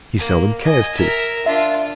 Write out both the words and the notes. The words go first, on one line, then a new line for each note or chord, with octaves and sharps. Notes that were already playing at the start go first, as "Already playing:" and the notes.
He seldom cares to.
A#3
D#5 G#5
A#4 E5
D4 F4 E5